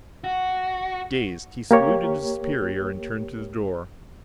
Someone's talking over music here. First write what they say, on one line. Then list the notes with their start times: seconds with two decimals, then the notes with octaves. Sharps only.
Dazed, he saluted his superior and turned to the door.
0.24 F#4
1.71 A#3 G4 A#4 C#5